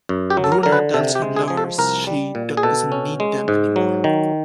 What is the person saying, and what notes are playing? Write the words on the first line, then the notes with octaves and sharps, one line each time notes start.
Bruna tells her lovers she doesn't need them anymore.
F#2
G4
F#3
A4
A#4
D3 A#4
B4
C3 A4
G4
G#3
G#4
F3 G#4
A4
C2 A#4
G3
A#2
G#4
B2 A4
C#4
G#3
G#2
F#3
D#3